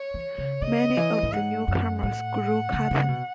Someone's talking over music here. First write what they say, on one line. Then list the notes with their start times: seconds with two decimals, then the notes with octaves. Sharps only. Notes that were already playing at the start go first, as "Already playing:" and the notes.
Many of the newcomers grew cotton.
Already playing: C#5
0.14 E3
0.38 C#3
0.62 C#3 D#5
0.97 E3
1.23 A2
1.32 G#2 F#5
1.68 F#2
2.02 A2 F#5
2.73 C#3
2.91 C#3
3.08 B2